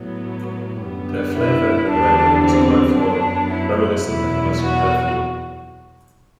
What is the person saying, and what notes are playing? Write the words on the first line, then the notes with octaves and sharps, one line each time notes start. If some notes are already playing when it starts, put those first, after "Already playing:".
Their flavour and aroma is quite floral, reminiscent of musk perfume.
Already playing: A2 F#3 B3
F#2 D3 G3 B3
E4
E2 D3 G3 B3 D4
C4
F#2 F#3 B3 D4
E4
E2 B2 F#3 B3 E4
F#4